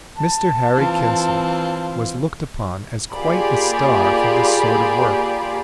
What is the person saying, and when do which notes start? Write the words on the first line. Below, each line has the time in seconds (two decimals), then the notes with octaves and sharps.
Mr. Harry Quincel was looked upon as quite a star for this sort of work.
0.16 A5
0.75 E3 C4 F4
3.14 A#3 F4 G4 G#4 D5 B5